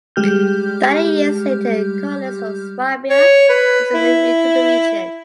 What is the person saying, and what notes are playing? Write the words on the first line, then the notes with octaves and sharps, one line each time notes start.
Thirty years later colonists from Swabia also moved into the region.
G3 G#3 G4 F6 G6
C#5
B4
E4